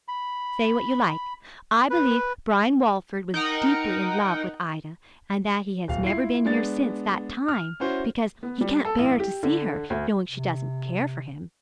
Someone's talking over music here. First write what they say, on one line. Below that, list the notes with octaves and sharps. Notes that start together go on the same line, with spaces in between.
'Say what you like, I believe Brian Walford was deeply in love with Ida, and that he has never been here since that time, because he can't bear to see her, knowing she doesn't care for him.'
B5
B4
D#4 A#4 F#5 G5
D#1 F5
E4 F4 C7
G#3 B3 D4 A6
F6
C#4 E4 F#4 C5
B3
G3
A4
A1
G4
D3
D2
C3